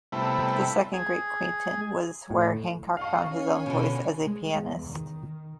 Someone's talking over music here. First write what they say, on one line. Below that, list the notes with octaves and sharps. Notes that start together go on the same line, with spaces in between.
The second great quintet was where Hancock found his own voice as a pianist.
C3 G3 A3 B3 E4
G#4
A2
F#4 A4 D#5 F5 C#6
C#4 C#5 G#5
B2 D3
G#3
E2
D#3